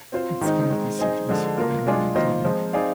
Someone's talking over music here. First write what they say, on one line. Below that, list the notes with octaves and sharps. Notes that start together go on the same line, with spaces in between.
Its county seat is Ironton.
C4 F4 C5
D#3 G#3 C4 D#4
D#3 G#3 C4
C4 D#4 G#4 D#5
D3 F3 G#3
A#3 F4 A#4
G#3 D4 F4 G#4 D5
D#3 A#3 F4 C5 D#5
F3 G#3 C4
C4 D#4 G#4 D5 F5